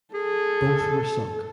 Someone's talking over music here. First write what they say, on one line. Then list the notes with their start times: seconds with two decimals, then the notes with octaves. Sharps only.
Both were sunk.
0.14 G#4 A4